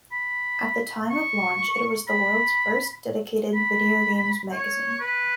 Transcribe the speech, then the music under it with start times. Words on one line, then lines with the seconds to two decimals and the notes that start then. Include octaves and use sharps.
At the time of launch it was the world's first dedicated video games magazine.
0.12 B5
1.10 C#6
2.08 B5
3.54 B5
4.52 C#5
5.00 B4